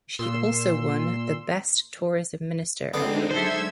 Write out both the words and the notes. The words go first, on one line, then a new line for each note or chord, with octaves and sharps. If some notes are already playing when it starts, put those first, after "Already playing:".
She also won the "Best Tourism Minister" award.
A#2 C6 E6
D3 G#3 B3 C4 D4 D#4
F#3 A4 C5 E5 E6 G#6